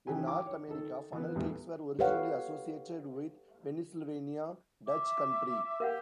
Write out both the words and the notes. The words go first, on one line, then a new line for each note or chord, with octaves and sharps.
In North America, funnel cakes were originally associated with Pennsylvania Dutch Country.
D#3 E3 G4 G#5
E4 G5 D6
C#5
D#3 A4
E3 B3
E2 A#2 D#3 G3 A3 B3
G4 A4 B4 C#5 F5 F#5
E5 D6
G4 A#4 F5 F#5